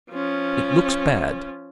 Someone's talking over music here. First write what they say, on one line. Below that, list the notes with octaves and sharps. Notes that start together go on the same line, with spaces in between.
It looks bad.
F3 C#4